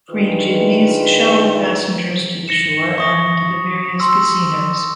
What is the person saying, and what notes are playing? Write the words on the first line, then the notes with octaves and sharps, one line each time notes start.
Free jitneys shuttle passengers to the shore and the various casinos.
D#3 D4 F4 G#4 B4
A#6 C#7 E7
C#6 D#6 A#6
C6 E6